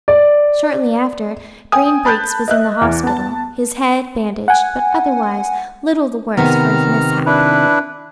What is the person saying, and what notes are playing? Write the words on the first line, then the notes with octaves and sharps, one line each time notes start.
Shortly after Green Breeks was in the hospital, his head bandaged, but otherwise little the worse for his mishap.
D5
G5 G#5 D#6
A5 B5 F#6 G6 A6
D#5 E5 F#6
E2
B3 A5
F#5 G#5
C3 D#3 B3 A#5 F6
D4 E4 B4